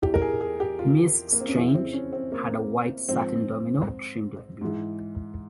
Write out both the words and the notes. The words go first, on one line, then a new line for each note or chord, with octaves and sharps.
Miss Strange had a White satin domino trimmed with Blue.
E2 E3 G4
A#4
G#4
G#4
G4
F4
A#3
C4
C#4
F2 C#3 E3 E4
C4
C#4
C4
A#3
G#2 F3 C4
G#2 E3